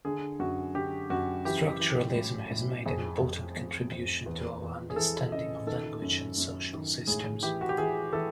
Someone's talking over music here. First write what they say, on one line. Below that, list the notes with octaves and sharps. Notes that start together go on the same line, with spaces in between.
Structuralism has made an important contribution to our understanding of language and social systems.
D3 G#4
F#2 F#4
D3 G4
F#2 F#4
E3 G4
E3
A2
A2
F2 G#4
F2
F2
F2
E2
E2
G#4
E3 A4
C#3 D#5
D#3 A4
F#2
F#2
D#3
A2 G#4
E3 G4
F#4
G4
E3 G#4
E3 A4